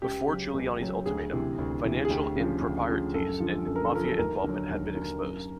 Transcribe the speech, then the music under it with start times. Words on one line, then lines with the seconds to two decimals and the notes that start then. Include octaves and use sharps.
Before Giuliani's ultimatum, financial improprieties and mafia involvement had been exposed.
0.02 C#2 G4
0.28 C#3 F#3
0.54 C#2
0.80 C#3 F#3
1.06 D2 G#4
1.33 C3 E3
1.59 D2
1.84 C3 E3
2.05 G#4
2.10 D2 G4
2.36 C#3 F3
2.62 D2
2.88 C#3 F3
3.14 F#2 A4
3.40 D3 F3
3.66 F#2 A4
3.76 A#4
3.85 A4
3.92 D3 F3 A#4
4.05 A4
4.19 D#2 A#4
4.44 D3 F#3
4.70 D#2
4.96 D3 F#3
5.22 F#2